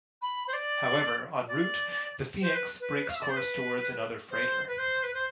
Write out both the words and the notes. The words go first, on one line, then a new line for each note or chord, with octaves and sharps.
However, en route, the "Phoenix" breaks course towards another freighter.
B5
C5
D5
D5
C5
B4
B4
F5
E5
D5
C5
B4
C5
B4
C5
B4
C5